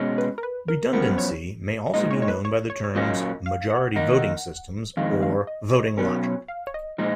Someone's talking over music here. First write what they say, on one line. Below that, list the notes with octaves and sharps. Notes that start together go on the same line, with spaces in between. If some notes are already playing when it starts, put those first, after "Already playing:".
Redundancy may also be known by the terms "majority voting systems" or "voting logic".
Already playing: B2 G#3 C#4
B4
A#4
B4
A#4
F#2 F3 B3 A#4
C#5
A#2 G#3 D#4 D#5
C#5
C#5
B4
C#5
C#5
C#5
A#2 F#3 A#3 C#4 D#5
F5
F#5
D#3 A#3 D#4
F2 D#3 G#3 F5
F5
D#5
C#5
D#5
C#5
B2 F#3 C#4 A#4
C#5
F5
C#5
D#5
A#2 F3 G#3 D#4